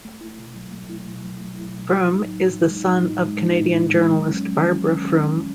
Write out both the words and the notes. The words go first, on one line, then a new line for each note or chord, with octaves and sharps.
Frum is the son of Canadian journalist Barbara Frum.
A3
E4
B2
F#3
A3
E4
B2
F#3
A3
E4
B2
F#3
D#4
A2
A2
G#3
D#4
A2
A2
G#3
D#4
A2
A2
G#3
F#3
C#4
D#2
D#3
F#3
C#4
D#2
D#3